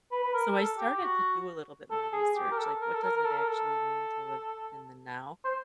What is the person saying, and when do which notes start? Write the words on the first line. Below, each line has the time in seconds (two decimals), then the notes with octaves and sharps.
So, I started to do a little bit more research, like, what does it actually mean to live in the now?
0.12 B4
0.23 B4
0.34 A#4
0.52 A#4
0.56 A4
0.78 G4
1.01 F#4
1.91 A4
2.13 G#4
2.36 G4
2.51 A#4
2.58 A4
2.81 A#4
2.94 A4
3.03 A#4
3.16 A#4
3.25 A4
3.38 A#4
3.48 A4
5.45 C5